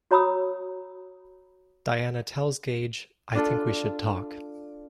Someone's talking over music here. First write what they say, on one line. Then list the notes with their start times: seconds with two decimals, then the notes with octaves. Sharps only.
Diana tells Gage "I think we should talk".
0.11 F#4 C#5 A#5 B5 D#6 E6
3.35 D4 F4 A4